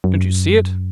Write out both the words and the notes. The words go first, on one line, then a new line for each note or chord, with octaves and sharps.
Don't you see it?
F#2